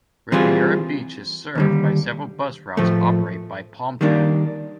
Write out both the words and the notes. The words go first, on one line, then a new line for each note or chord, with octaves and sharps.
Riviera Beach is served by several bus routes operated by PalmTran.
E3 G3 C4 F4 G#4
D#2 D3 G3
A2 F3 A3
D#3 G3 A#3 D4